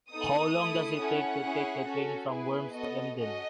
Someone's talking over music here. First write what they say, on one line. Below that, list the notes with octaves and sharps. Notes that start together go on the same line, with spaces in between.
How long does it take to take the train from Worms to Emden?
B3 D#4 A4 D#6
A3 E4 A4
C#4 E4 A4 F#5
C#4 E4 G#4
C#4 F#4 A4
B3 E4 G#4 B4
B3 F#4 A4 D#5
C#4 F#4 A4 D#5